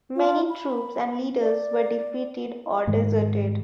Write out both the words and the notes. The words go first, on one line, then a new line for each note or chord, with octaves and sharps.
Many troops and leaders were defeated or deserted.
F4
B5
D5
G#2 D#3 G#3